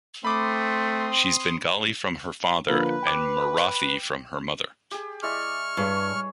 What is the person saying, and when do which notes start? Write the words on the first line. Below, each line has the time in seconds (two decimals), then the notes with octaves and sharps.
She's Bengali from her father and Marathi from her mother.
0.25 A3 C4 B5 C6 D6 D#6
2.68 D3 F3 A#3 B4
3.03 G5 D6
4.91 G4 G#4
5.23 G#3 E4 D5 C#6 F6
5.77 G2 G#4 C#5